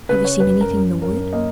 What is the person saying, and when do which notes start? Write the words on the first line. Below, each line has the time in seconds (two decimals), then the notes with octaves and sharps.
Have you seen anything in the wood?
0.09 C#3 B4
0.25 C#5
0.40 F#2 B4
0.61 A#4
0.71 F#2
1.02 F#2 A#4
1.33 A#3 D#5